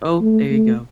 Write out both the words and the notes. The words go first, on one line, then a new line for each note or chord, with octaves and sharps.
Oh, there you go.
A3
A3